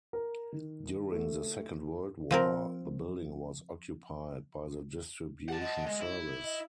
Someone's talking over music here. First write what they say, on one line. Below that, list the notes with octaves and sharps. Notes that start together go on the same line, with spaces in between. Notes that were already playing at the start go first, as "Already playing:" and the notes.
During the Second World War the building was occupied by the Distribution Service.
A#4
D#3
A3
F3 C4 A#4
G4 F#5 A5
D#5
G#3
E4
D#5